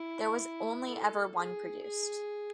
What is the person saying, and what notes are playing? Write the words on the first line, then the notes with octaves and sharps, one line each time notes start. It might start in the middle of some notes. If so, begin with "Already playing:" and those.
There was only ever one produced.
Already playing: E4
A4
G#4
G#4